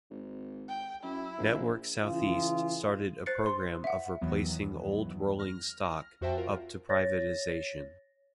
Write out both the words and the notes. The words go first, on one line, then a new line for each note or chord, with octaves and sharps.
Network SouthEast started a programme of replacing old rolling stock up to privatisation.
G#1
G5
F#2 E4
A#1
C#3 E3 F4 G#4
C5 F#6 A6 C7 C#7
C6
E5 F#5
E2 D#3 E3 F#3 B3
F6 A#6
F2 F#4 C5 E5 G5 A5
F4 A#4
C#5 A6 A#6